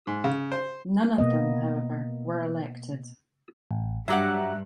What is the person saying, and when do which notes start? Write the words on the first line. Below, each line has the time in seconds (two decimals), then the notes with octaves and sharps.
None of them however were elected.
0.07 G#2
0.24 C#3
0.52 C5
1.18 B2 A#3 B3 D#5
3.71 A1
4.08 G2 F#3 G4 E5 F#5 A#5 F#6